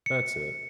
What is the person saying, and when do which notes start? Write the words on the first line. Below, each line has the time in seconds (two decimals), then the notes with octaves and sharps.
That's it.
0.06 C#7